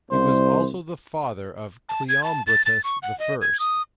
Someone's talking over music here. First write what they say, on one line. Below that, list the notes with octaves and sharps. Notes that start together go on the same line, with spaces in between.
He was also the father of Cleombrotus the First.
C2 C5
A5
G#6
A5
A6
A6
C#6
F#5
D#5
G#6
D#6